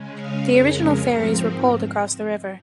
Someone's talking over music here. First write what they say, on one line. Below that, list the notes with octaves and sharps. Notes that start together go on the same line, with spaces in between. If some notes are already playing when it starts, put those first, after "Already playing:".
The original ferries were poled across the river.
Already playing: C#3 G#3 C#4
C#5 F5
F2 C#3 G#3 C#4 A#4 C#5
A#4
G#2 F3 C4 A#4